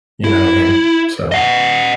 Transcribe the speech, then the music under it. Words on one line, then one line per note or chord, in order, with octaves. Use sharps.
You know what I mean? So
E4
D#5 F#5